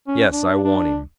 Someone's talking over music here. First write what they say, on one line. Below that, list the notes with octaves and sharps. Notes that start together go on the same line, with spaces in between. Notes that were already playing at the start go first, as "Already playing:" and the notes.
"Yes, I want him!"
C#4
D4
D4